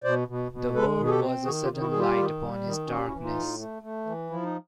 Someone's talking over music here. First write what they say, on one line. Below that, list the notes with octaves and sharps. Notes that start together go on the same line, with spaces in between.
The word was a sudden light upon his darkness.
B2 C5 D5
B2
B2
G#3 A4 B4
B2
G#4
G4 A4
C4
D#3 F#4 G#4
F4 G4
D#3
E4 F#4
G3 G#4
F4 G4
D#3
G3
D#3
C#4 F#4
G4
E4 F#4
E3
D#4 F4
A2
A3
A3
E3
F3 E4
D#4